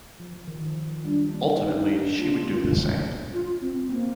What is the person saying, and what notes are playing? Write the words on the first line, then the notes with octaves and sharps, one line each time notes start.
Ultimately, she would do the same.
F3
D#3
F3
G3 D4
A#3
D#4
D#4
D4
A#3 F4
G#3
F4
C4
A#3 C4